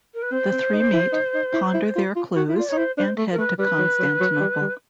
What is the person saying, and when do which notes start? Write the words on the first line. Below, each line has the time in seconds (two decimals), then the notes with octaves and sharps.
The three meet, ponder their clues, and head to Constantinople.
0.14 A#4
0.22 B4
0.31 C4 C5
0.52 C4
0.73 D#4
0.93 E4
1.13 D#4
1.34 D#4
1.54 E4
1.74 E4
1.96 F4
2.16 F4
2.36 F#4
2.49 E4
2.56 F4 D5
2.68 C#5
2.72 D#4
2.77 E4 C5
2.97 D4 C5
3.18 A3
3.31 A#4
3.38 A3 B4
3.58 G3 B4
3.79 F#3
3.99 F#3
4.20 F#3
4.40 G3
4.61 G3